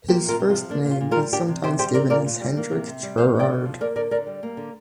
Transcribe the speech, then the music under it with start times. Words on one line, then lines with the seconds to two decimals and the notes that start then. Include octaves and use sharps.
His first name is sometimes given as Hendrik Gerard.
0.08 A#3 G4 C5
0.24 C3 F4 A#4
0.39 C3
0.50 F4
0.54 F3
0.70 A#3 D4
0.85 A#2
0.91 F4
1.01 A#2
1.11 F4 A#4
1.16 G3
1.33 A#3 D4 G4
1.48 C3
1.63 C3 G4 C5
1.79 G3 G4 C5
1.94 C4 A#4 D5
2.10 A#2 A#4 D5
2.26 A#2
2.41 G3
2.57 A#3
2.71 C3
2.87 C3
3.03 G3
3.18 C4 C5 F5
3.34 D3
3.39 D5 G5
3.50 D3
3.65 F3
3.81 A#3 A#4 D5
3.96 D3 A#4 D5
4.11 D3 A#4 D5
4.27 G3
4.43 A#3
4.57 D3